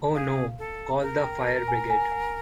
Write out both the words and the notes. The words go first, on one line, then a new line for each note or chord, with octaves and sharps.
Oh no! Call the fire brigade!
G#4 F5
A4
A#4
G5
G#5
G#5
F#5